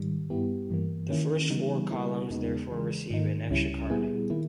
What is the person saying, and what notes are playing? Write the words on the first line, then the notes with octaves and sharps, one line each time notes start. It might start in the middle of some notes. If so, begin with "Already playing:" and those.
The first four columns therefore receive an extra card.
Already playing: G#2 D#3 G3
G2 G3 B3 E4 G4
G2 E3 A#3
D#3 A#3 C#4 E4
C#3 E3 G3 B3 D#4
C#3 G3 A#3 E4
E2 C#3 G#3 B3 D#4
C#3 E3 G#3
G#2 D#3 A#3 D#4
C#2 C#3 G3 C#4 E4
A#2 G3 B3 E4 G#4
D#3 A#3 E4